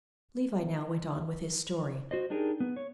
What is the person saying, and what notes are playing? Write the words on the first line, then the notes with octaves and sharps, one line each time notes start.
Levi now went on with his story.
F#4 C5 D#5
D4 D#4 G4 G#4 A#4
B3
C#5